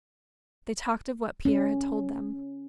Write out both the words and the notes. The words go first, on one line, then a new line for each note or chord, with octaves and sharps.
They talked of what Pierre had told them.
C#4